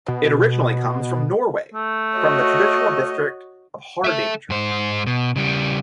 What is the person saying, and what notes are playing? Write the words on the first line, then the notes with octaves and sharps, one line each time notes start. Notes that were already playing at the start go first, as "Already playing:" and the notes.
It originally comes from Norway, from the traditional district of Hardanger.
B2
A3
F#4 C#5 D#5
A4 E5
G#2 C5
B2
C#3 G3